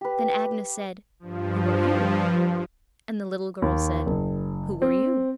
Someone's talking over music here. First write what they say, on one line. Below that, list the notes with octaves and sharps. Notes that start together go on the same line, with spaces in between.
Then Agnes said, "Who are you?" And the little girl said, "Who are you?"
G4 B4
G2 F3
D#2
F#1
C4